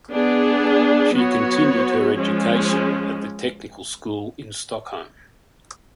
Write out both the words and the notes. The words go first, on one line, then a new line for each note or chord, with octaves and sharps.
She continued her education at the Technical School in Stockholm.
B3 D4 G#4
F#3 B3 F#4 C#5
F3 G#3 C#4